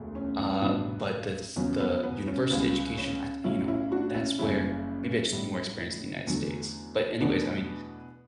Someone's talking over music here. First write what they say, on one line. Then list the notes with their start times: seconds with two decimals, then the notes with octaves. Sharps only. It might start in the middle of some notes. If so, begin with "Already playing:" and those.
uh, but that's the university education, I thi you know, that's where maybe I just need more experience in the United States, but anyways, I mean,
Already playing: E1 D2 A3
0.15 C#4
0.38 C#4
0.62 A1 G2 F#3 B3 D4
1.56 E2 C#3 F#3 B3 C#4
1.80 B3
2.03 B3
2.27 C#4
2.50 C#2 C#3 G3 B3
2.97 C#4
3.44 B1 A2 F#3 C#4 E4
3.68 C#4 E4
3.91 D4 F#4
4.15 C#4 E4
4.38 F#1 F#2 C#3 G3 B3 C#4 E4
5.32 A1 A2 G3 B3
6.27 E2 D3 F#3 A3
7.20 E2 B2 A3 B3 D4